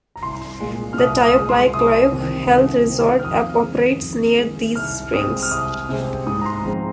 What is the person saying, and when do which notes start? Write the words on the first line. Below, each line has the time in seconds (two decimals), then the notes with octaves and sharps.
The Tyoply Klyuch Health Resort operates near these springs.
0.16 A#5
0.23 C2 C6
0.60 A#2 G#3
0.93 F6
0.98 C2 D#6
1.23 D#6
1.36 A#2 G#3
1.49 C6
1.74 C2 D#6
2.11 C3 D#3 C4
2.49 C2
2.86 C3 D#3 C4
3.19 F6
3.25 F2 D#6
3.62 D#3 G#3
4.00 F2
4.38 D#3 G#3
4.76 C2 F6
5.14 C3 G#3 C4 D#6
5.42 F6
5.51 C2 D#6
5.89 C3 G#3 C4
6.27 G#2 D#6
6.41 A#5
6.46 C6
6.64 F3 G#3 C4 A#5